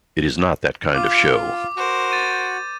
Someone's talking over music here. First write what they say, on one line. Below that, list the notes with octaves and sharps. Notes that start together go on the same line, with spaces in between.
It is not that kind of show.
F4 D6
F#4 A#4 C5
G6 A6 D#7